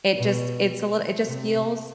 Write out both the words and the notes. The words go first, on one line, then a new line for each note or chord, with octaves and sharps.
It just it's a littl it just feels
B2
C3